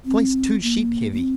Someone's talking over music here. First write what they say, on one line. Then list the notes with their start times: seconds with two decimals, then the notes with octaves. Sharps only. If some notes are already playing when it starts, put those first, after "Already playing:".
Twice two sheep heavy.
0.05 C4
0.62 A#3
1.12 A#3
1.18 C4